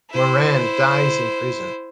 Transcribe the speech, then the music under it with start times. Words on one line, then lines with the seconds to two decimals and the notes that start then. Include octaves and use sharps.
Moran dies in prison.
0.10 E4 C5